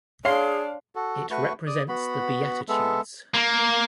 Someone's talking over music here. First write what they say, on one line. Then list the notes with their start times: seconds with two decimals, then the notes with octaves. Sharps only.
It represents the Beatitudes.
0.25 D4 G#4 C#5 F5 C6 C7
0.95 F#4 A4
1.31 A3 F#4 B4 C#6
1.67 D5 D#6
1.89 B3 F#4 B5
2.69 G#3 B3 A4 E5
3.34 A#3